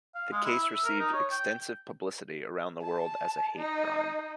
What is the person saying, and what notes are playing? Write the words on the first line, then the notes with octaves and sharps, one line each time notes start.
The case received extensive publicity around the world as a hate crime.
F5
G#3
E4
E5
A#4
D#4
C#5
G5
A5
D#4